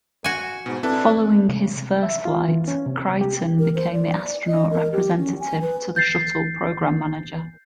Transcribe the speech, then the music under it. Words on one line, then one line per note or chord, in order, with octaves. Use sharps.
Following his first flight, Creighton became the astronaut representative to the Shuttle Program Manager.
F#4 G#5
G#2 B2
C4 D4 E4 A4 B4
C3
E5
F4
E3
C#4
C3
G4
A#4
C5
D5
D#5
A#4
G4
C#4
G#5
B4
G6 A6 C7